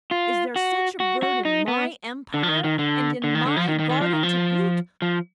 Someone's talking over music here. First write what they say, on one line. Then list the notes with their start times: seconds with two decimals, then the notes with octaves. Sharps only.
Is there such a bird in my empire, and in my garden to boot?
0.11 F4
0.56 F#4
1.00 F#4
1.23 F#4
1.45 D#4
1.68 B3
2.34 D3
2.43 F3
2.49 D#3
2.64 D#3
2.79 D3
3.24 D3
3.35 D#3
3.46 D3
3.56 F3
3.68 D#3
3.79 D#3
3.90 D#3
4.01 F3
4.13 D#3
4.23 F3
5.02 F3